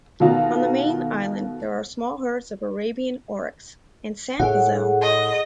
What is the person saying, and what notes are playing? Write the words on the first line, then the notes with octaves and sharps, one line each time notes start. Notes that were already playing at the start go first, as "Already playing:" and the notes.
On the main island there are small herds of Arabian oryx and sand gazelle.
B2 D#3 A3 D#4 F4 F#4
A2 G#4 F#5
D#5